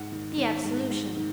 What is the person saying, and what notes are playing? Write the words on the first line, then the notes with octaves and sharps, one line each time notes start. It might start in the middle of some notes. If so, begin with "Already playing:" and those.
The Absolution.
Already playing: G#2 F#5
D#3
D#3
G#2
G#2
D#3